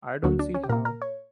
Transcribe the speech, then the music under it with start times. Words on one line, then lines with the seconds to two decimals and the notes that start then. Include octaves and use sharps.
I don't see how.
0.23 D2 D3 F#3 A#3 F#4
0.39 D4
0.54 C#4
0.64 G4
0.69 A#2 A#3 A#4
0.85 A#4
1.02 C#5